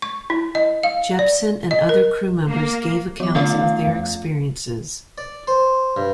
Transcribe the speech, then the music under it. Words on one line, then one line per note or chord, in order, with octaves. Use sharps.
Jeppson and other crew members gave accounts of their experiences.
C#6
E4
D#5
F5
D5
D#5
A#4
A#3
F#3 B3 D6
D3 A3 C#4 F4 F5
D#3
F2
D5
C5
G2